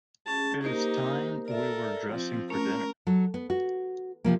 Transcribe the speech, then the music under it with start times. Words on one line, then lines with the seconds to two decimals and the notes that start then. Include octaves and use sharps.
It is time we were dressing for dinner.
0.27 C#4 G#4 A5
0.64 A#3 D#4 G4 A#4 C5
1.48 A4 A#4 D5 E5
2.10 F3 C4
2.50 A3 C#4 A#4 A#5
3.07 F#3 A4
3.34 B3
3.50 F#4
4.24 C3 F3 A#3